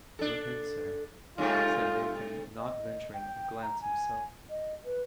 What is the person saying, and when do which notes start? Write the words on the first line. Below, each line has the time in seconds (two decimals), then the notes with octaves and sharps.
"Look in, Sir," said Nathan, not venturing a glance himself.
0.19 D4 A4
1.38 G2 C3 A3 F4
2.58 D#5
3.14 G5
3.62 A#5
3.81 G#5
4.50 D#5
4.85 B4